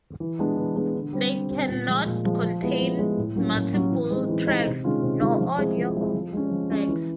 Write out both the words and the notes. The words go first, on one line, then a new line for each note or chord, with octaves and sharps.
They can not contain multiple tracks, nor audio or video tracks.
E3
G#3 B3 D4
E3
G#3 B3 D4
D3
G3 C4
D3
G3 C4
A#2
F3 G#3
A#2
F3 G#3
F3
G#3 B3 E4
F3
G#3 B3 E4
A2
F#3 A#3 C#4
A2
F#3 A#3 C#4
E3
G#3 C4 D#4
E3
G#3 C4 D#4
C3
D#3 G#3 C#4 F4
C3
D#3 G#3 C#4 F4
F3
G#3 C4 E4 G#4
F3
G#3 C4 E4 G#4
F3
G#3 C#4
F3
G#3 C#4
E3